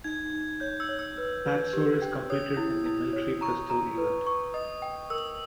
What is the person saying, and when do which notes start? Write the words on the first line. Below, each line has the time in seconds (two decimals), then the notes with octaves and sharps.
Patsouris competed in the military pistol event.
0.04 D#4 G#6
0.33 D#4
0.60 C#5 G6
0.80 E6
0.89 C#5
0.99 E6
1.18 B4
1.45 B4
1.73 G4
2.02 G5
2.30 C#5 D#6
2.57 E4
2.86 E4
3.13 C#5
3.41 A#5 C#6
3.70 A#5
3.98 B4
4.27 C#6
4.54 D#5 D#6
4.82 G5
5.10 A#4 E6